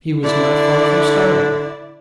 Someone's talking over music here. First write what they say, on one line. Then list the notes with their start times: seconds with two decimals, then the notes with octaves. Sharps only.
He was not far from starving.
0.24 D3 E4 D5